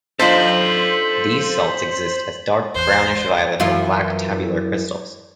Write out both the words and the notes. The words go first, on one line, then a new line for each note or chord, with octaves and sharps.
These salts exists as dark brownish-violet or black tabular crystals.
D4 D#4 F4 A4 C5 F5 B6 F#7
G#1 E2 C5 F#6
F#2 E3 F4